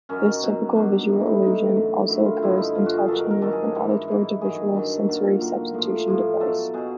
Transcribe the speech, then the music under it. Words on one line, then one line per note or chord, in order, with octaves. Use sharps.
This typical visual illusion also occurs in touch and with an auditory-to-visual sensory-substitution device.
F#2 D#3 F#3 C#4
B2 F#3
B2 F#3 D4
A2 E3 D#4
E4
D#4
A2 E3 D#4
F#2 D3 F#3
F#2 D3 F#3 E4
F4
G2 D3 F3 E4
D#4
E4
G2 D3 F3 F4
F#4
G#4
G2 D#3 F#3 A4
A#4
A#4
G2 D#3 F#3 A4
G#4
A4
G#2 E3
G#2 E3
G2 D#3 F#3 G#4
G2 D#3 F#3 A4
A#2 F#3 A4
A4
A#2 F#3 A#4
A2 F3
A2 F3
B2 F#3 A4
B2 F#3 G#4